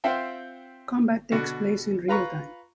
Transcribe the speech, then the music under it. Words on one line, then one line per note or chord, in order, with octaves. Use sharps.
Combat takes place in real-time.
C4 F4 C5 E5 F#5 G5
B2 D3 F#4
F4 B4 A#5 B5 C#6